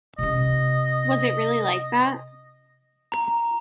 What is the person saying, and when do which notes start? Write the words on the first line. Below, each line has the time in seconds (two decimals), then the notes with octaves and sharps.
Was it really like that?
0.19 C3 C#4 D#5
3.12 A#5